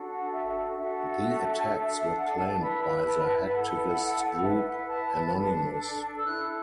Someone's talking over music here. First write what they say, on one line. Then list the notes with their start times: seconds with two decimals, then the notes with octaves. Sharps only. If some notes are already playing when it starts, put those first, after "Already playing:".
The attacks were claimed by the hacktivist group Anonymous.
Already playing: D4 F#4 A4
0.08 F#5
0.32 E5
0.46 E5
0.77 D4 F#4 A4 E5
1.23 E5
1.69 D4 A4
2.14 F#5
2.37 A5
2.60 E4 B4 B5
2.82 B5
3.06 A5
3.22 F#5
3.28 A5
3.51 E4 A4 F#5
4.43 E4 B4 E5
4.66 F#5
4.89 A5
5.35 D4 A4
6.17 E6
6.26 E4 A4 F#6